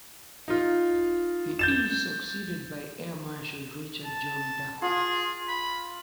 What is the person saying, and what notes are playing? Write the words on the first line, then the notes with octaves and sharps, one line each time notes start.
He is succeeded by Air Marshal Richard John Duckworth.
D#4 F4
G6 A6 E7
A5
F4 G#4
B5